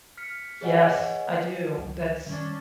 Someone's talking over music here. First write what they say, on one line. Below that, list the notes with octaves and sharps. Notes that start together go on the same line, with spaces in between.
Yes. I do. That's
F6 B6 C#7
G#4 B4 C#5 D#5 F#5 G#5
C#2 F#3
D#3 G3 C#4 D4